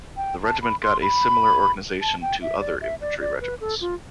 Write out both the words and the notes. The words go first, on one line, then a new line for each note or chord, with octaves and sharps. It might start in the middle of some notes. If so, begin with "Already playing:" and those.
The regiment got a similar organization to other infantry regiments.
G5
A5
B5
C6
B5
A5
G5
E5
D5
E5
D5
D5
B4
A4
F4